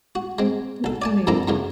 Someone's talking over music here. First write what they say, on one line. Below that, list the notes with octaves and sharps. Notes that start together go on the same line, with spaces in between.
That's funny.
F#4
G#3 C4
B1 A4
D5 G#5 A5
G2 A#2 C4 E4 A4 A#5
F#2 A2 C#3 E3